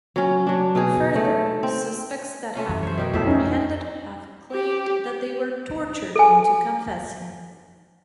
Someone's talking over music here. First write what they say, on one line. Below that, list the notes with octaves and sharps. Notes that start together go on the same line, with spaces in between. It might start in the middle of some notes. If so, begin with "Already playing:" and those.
Further, suspects that have been apprehended have claimed that they were tortured into confessing.
F#3 C#4
F#3 D4
B2 D#4 G#4
A3
C4
A3 C#4 F4
F#2 E3 G3
C5 C#5
B2 G4 A#4
F2 A2 F3 B3 E5
F2 C#4 D#4
G4
A4 G#5